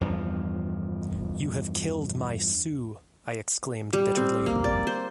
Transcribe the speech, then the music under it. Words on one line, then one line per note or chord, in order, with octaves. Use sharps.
'You have killed my Sue,' I exclaimed bitterly.
E2 G2 F3
G3
C4
A#3
D5
C5